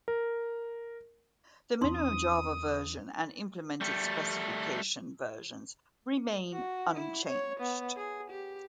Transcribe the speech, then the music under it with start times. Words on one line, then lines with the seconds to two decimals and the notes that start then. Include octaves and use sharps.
The minimum Java version and implemented specification versions remain unchanged.
0.08 A#4
1.81 E2 C4 C#4 D#4 C6 D#6
3.81 G3 A3
6.53 F#4
6.93 E4
7.26 C#5
7.60 B3
7.96 G#4
8.31 G4